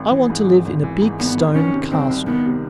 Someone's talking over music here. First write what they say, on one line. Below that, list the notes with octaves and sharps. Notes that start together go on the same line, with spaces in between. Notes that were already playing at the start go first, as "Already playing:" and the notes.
I want to live in a big stone castle.
Already playing: G#1
E3
G#2
G#1
G#1
E3
G#2
G#1 B3
G#1
D#3 C#4
C3
C2 C4
C2
D#3 B3
C3